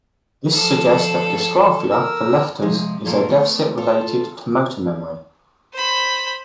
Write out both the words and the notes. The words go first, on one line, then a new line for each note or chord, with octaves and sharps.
This suggests that dysgraphia for letters is a deficit related to motor memory.
F3 A4
A#4 E6
C3 F3 G#3
A#2 F#3 A#3 F4 A4 A#4
A3 B3 C4
F4 A4
C5 B5